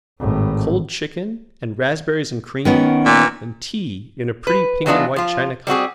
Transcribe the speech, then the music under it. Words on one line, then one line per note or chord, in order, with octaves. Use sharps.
Cold chicken, and raspberries and cream, and tea in a pretty pink-and-white china cup.
G#1 A2
D#3 B3 C#4
A#2
B4
E3 F#3 G#3 B3 D4 F4
F3 F4
G3 C4 F#4 G#4